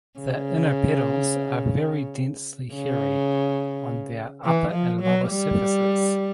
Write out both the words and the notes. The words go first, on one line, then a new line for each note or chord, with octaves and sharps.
The inner petals are very densely hairy on their upper and lower surfaces.
C#3
C#3
E3
F3
F#3
G3